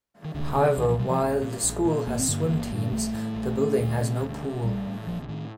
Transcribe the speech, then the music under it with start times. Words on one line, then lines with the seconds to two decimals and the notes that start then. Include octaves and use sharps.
However, while the school has swim teams, the building has no pool.
0.24 D#3
0.34 C2 D3
0.56 C3
0.77 C2 D#3
0.88 F3
0.99 C3 G3
1.10 F3
1.20 A#1
1.42 A#2
1.63 A#1
1.85 A#2
2.07 G1 A#3
2.19 C4
2.28 G2 D3 A#3
2.50 G1
2.71 G2 D3
2.92 A#1 A3
3.14 A2
3.35 A#1
3.57 A2
3.78 D2
4.00 C3
4.21 D2
4.43 C3
4.64 A#1 G3
4.86 A2
5.07 A#1 F3
5.22 D3
5.29 A2 D#3